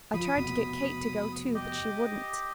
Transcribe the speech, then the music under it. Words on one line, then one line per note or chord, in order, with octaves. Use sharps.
I tried to get Kate to go, too; but she wouldn't.
F3 B5 D#6
F1 B2
G4 D#5